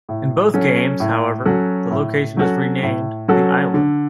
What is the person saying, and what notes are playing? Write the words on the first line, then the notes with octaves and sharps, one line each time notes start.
In both games, however, the location is renamed "The Island".
A2
F#3 C#4 F#4 A4
A2
F#3 C#4 F#4 A4
A2
F#3 C#4 F#4 A4
A2
F#3 C#4 F#4 A4
D3